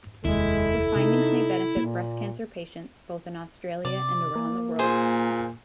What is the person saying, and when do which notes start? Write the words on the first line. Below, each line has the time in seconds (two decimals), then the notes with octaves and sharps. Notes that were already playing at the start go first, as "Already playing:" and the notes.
Her findings may benefit breast cancer patients both in Australia and around the world.
0.25 F1 D#2 G#3 E4 A4
0.96 C3 D#4
1.77 A#2 A#3
3.85 C3 D5
4.35 A#3
4.79 A#2 G#4 C5